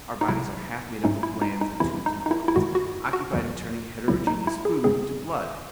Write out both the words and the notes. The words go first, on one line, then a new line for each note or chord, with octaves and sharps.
Our bodies are half made up of glands and tubes and organs, occupied in turning heterogeneous food into blood.
D#4
C2 C3 F#3 E4
G#2 F#3 A3 C#4 D#4
E4
D#4
D#4
E2 C3 E3 C4 E4
D#4
D#4
E4
E4
F#2 D#3 G#3 F#4
F#4
F#4
E2 D#3 F#3
C#2 C#3 F#3 C4 E4
D#4
E4
G#4
F#2 C#3 G#3 C4 G#4